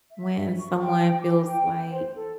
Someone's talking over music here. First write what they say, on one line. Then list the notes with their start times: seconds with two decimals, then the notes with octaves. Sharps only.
when someone feels like
0.11 E5
0.59 C#6
0.82 G5
1.22 D6
1.46 G5
1.73 G5
1.91 C5
2.15 A4